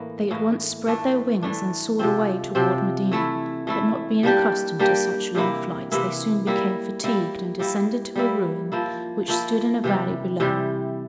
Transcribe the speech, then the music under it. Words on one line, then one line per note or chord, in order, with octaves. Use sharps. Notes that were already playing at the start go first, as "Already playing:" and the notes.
They at once spread their wings and soared away toward Medina, but not being accustomed to such long flights, they soon became fatigued and descended to a ruin which stood in a valley below.
Already playing: A2 E3 A#3
A2 E3 A#3
E3 A3 D4
E3 A3 D4
C3 F3 C4
C3 F3 C4
E3 A3 E4
E3 A3 E4
G3 A#3 D4 G4
G3 A#3 D4 G4
C3 E3 A#3 E4
C3 E3 A#3 E4
G3 A#3 E4
G3 A#3 E4
G3 A#3 E4
G3 A#3 E4
F3 A#3 E4
F3 A#3 E4
C3 E3 G3
C3 E3 G3